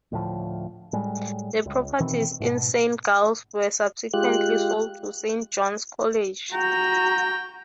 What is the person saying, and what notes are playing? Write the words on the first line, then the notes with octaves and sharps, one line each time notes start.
The properties in Saint Giles's were subsequently sold to Saint John's College.
D2 A2 F3
A2 G3 G#3
C#2
B2 D#3 E3 C4
G#2 B2
G#3 F4 G4 F#6
F#4 G5 A#5